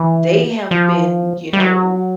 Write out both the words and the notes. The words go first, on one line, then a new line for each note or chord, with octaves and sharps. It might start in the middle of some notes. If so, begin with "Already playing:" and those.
they have been, you know,
Already playing: E3
F3
G3
F#3